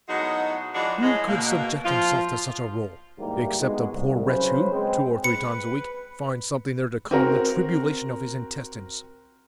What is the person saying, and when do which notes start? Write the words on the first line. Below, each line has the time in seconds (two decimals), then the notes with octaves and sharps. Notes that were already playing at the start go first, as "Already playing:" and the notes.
Who could subject himself to such a role, except the poor wretch who, two or three times a week, finds something there to calm the tribulation of his intestines?
0.09 A2 F#3 G#3 B3 D#4 F#4
0.74 E3 F3 G#3 D4 F#4
1.03 A2 G#3 C#4
1.28 B2 A#3
1.85 F3 F4
3.18 D#2 G#2 E3 G3 A#3
3.60 G#3 B3 D#4 F#4
3.93 C2
4.25 C#3 F#3 C#4 B4 C5
4.71 G#3 C4
5.24 B4 C#7
7.11 C4 F#4 A#4